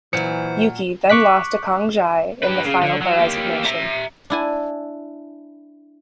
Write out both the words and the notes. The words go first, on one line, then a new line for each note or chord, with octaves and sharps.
Yuki then lost to Kong Jie in the final by resignation.
A#2 E3 F#3 C5 C#7
C#6 D6 F#6 B6
G4 B4
C#3
D3
F#3
A#3 G4
E5 A#5
D4 E4 G#5